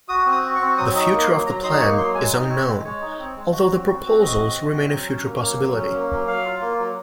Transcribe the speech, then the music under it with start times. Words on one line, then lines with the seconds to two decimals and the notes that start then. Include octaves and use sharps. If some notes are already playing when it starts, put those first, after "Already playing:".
The future of the plan is unknown although the proposals remain a future possibility.
0.08 F#4 D#6
0.26 C4
0.32 D#6
0.44 F#4
0.55 C#6
0.61 C4
0.78 F#3 D#6
0.95 D#4
1.01 C#6
1.13 A#3
1.23 C6
1.30 F#3
1.46 F#3 A#5
1.64 D#4 C6
1.80 A#3 C#6
1.98 F#3 C6
2.15 G#3 G#5
2.32 D#4
2.49 C4 C#5
2.67 G#3
2.84 G#3 C#5
3.01 D#4
3.19 C4
3.36 G#3
3.52 F#4
3.70 C4
3.87 F#4
4.05 C4
4.21 F#4 D#5
4.38 C4
4.55 F#4
4.72 C4
4.91 F#3
5.07 C#4
5.24 A#3
5.41 F#3
5.59 F#3
5.76 C#4
5.93 A#3
6.10 F#3
6.27 F#3 F5
6.45 F4
6.61 A#3
6.79 F#3